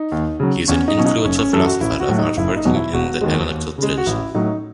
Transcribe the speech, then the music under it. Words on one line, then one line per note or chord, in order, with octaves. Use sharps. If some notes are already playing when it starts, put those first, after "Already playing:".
He is an influential philosopher of art working in the analytical tradition.
Already playing: D#4
D#2
C#3 F#3
E2 C#4
D#4
B2 F#3 C#4
D#4
D#4
F#1 C#4
C#4
F#2 E3 A4
F#4
A1 E4
F#4
A2 F#3
D#4
F#1 E4
D#4
E2 B2 F#3
E4
E1 F#4
D#2 D#3 G#3
D#2
C#3 G#3
F#4
A1 E4
A2 F#3 D#4